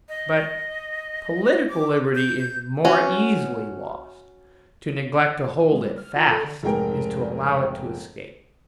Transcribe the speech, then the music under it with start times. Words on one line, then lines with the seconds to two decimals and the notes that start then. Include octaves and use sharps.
But political liberty is more easily lost; to neglect to hold it fast is to allow it to escape.
0.09 D#5
1.69 D6
2.15 G6
2.85 C#4 F#4
5.72 G#3
5.85 G3
5.98 F6
6.16 F4
6.31 A4
6.44 D3
6.63 F1 G#2 G#4 A#4 G5 A#5